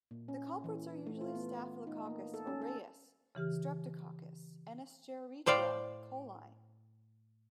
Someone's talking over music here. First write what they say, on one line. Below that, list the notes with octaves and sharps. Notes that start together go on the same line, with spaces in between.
The culprits usually are "Staphylococcus aureus", "Streptococcus", and "Escherichia coli".
A#2
C#4
E3
A3
F4
B3
D#4
A#3
A4
C#4
A4
C#3 E3 G4 F6
A2 C5 D5 F5 G5